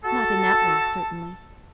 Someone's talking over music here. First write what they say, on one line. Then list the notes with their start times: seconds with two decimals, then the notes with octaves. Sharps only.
"Not in that way, certainly."
0.04 F#4 A4 A5